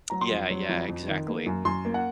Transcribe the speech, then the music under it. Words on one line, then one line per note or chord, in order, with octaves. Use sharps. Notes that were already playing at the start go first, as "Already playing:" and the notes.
Yeah, yeah, exactly.
F#3 A#5
C6
F2
F#3
F2
F2
D#3
A#3
F#2
F#2 C6
A#3
F#5